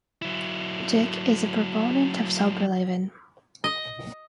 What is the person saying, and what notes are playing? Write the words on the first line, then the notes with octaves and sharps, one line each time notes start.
Dick is a proponent of sober living.
F#3 E4
D#5